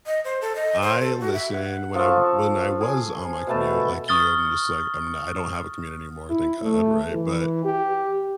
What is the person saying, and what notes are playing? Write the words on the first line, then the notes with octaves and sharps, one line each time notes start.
I listen when I'm when I was on my commute, like you, I'm just, like, I'm not I don't have a commute anymore, thank God, right, but,
D#5
C5
A4
D#5
C5
A4
F#4
E5
F#5
F3 A4 C#6
G#4
B2 A3 A5
C#6 D#6 F6 A6 G7
E4
A3
E3
G4